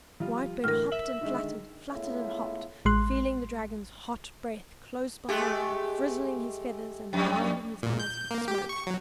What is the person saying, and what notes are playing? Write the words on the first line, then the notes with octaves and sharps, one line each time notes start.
Whitebird hopped and fluttered, fluttered and hopped, feeling the dragon's hot breath close behind frizzling his feathers and blinding his eyes with smoke.
F3 G3 F4
A2 D3 E3 A#4 F6
E5 F#7
D3 D#3 G#3
G#3 A3 B3 C#4 E4 F4
A1 G#3 C6 F#6
G#3 A3 G4
F2 G3
A#2
G6
A#3
G4
C#6
F#3